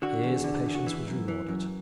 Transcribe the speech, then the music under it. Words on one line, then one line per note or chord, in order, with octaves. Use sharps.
His patience was rewarded.
D3 F#4
E2
D3
E2
F#4
E3 E4
F#2
E3
F#2